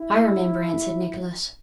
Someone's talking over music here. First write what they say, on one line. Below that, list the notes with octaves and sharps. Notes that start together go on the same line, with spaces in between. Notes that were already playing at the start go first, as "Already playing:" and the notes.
"I remember," answered Nicholas.
Already playing: E4